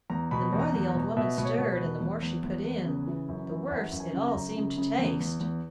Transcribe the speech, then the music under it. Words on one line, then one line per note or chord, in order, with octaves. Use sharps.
The more the old woman stirred, and the more she put in, the worse it all seemed to taste.
E2 A#5
B2 B5
E2
A#5
E2
A#5
B2
B2 E5
B2 B4
C#5
B2
B4
E2
E2
E2
E2
E2
C#3
E3
F#2
E3
F#2 F#5
F#2
G#5
C#3
A#5
F#2
C#3
C#3
E2
E2
E2